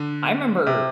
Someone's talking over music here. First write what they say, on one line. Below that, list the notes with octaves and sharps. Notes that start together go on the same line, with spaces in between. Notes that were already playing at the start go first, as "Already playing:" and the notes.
I remember
Already playing: D3
C3